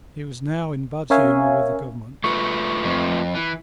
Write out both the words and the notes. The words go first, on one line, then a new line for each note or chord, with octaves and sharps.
He was now in bad humour with the government.
C#4 A#4 C#5 E5 F5 G#5
A3 F4 B4 C#6
F2
E3